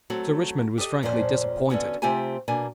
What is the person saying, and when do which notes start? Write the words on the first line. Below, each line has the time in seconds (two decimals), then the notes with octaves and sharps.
Sir Richmond was frankly disappointed.
0.10 F#3 A3 C4 F#4
0.78 G4 A4 D#5
1.03 F2 A#2 F3 C#4 G4 C5
1.70 D3 B3 C#4 F#4
2.02 C3 A3 C4 F4 G4 G#5
2.48 B2 A#3 D4 G#5